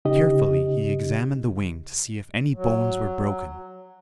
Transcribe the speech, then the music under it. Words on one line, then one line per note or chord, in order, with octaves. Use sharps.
Carefully he examined the wing to see if any bones were broken.
C#3 D#4 G4 D#5
F#3